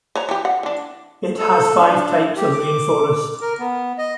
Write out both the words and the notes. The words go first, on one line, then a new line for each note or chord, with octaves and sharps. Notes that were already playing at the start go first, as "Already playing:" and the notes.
It has five types of rainforest.
B4 C#5 A#5
E3 G4
F#5
E3 D4
A4
D4
G4
D6
A#4
B3
D#5